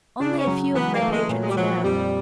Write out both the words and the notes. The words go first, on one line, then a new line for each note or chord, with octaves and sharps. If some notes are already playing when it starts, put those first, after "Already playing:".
Only a few of my patrons know.
C#3 D4
C#4
F#3
E3 B3
A#3
A3
G#3
A#2 F#3
G#3
G3
F3 F#3
F2 G3